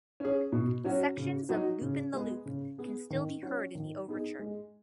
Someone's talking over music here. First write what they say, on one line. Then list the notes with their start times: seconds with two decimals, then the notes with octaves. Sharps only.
Sections of "Loopin' the Loop" can still be heard in the Overture.
0.20 C#4 G#4
0.52 B2
0.84 F#3 C#4 F#4
1.17 C#3
1.49 F#3 D#4 F#4
1.81 C#3
2.13 G#3 B3 G#4
2.46 C#3
2.78 B3 G#4
3.10 D#3
3.43 F#3 C#4 F#4
3.75 D#3
4.07 B3 D#4 G#4
4.39 G#3